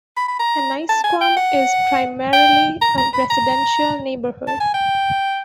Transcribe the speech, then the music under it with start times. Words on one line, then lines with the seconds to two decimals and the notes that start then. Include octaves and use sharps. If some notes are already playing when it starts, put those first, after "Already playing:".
Annisquam is primarily a residential neighborhood.
0.17 B5
0.28 B5
0.40 A#5
0.89 A5
1.04 G#5
1.21 G5
1.37 F#5
2.33 G5
2.82 A#5
2.97 A#5
3.13 B5
3.30 A#5
4.47 A5
4.60 G#5
4.74 G5